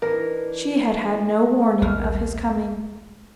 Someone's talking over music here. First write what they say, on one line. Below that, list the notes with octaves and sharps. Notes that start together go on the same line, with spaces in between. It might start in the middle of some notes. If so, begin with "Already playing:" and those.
She had had no warning of his coming.
E3 D4 D#4 A#4
A#1 D#2 G3 A#4 F6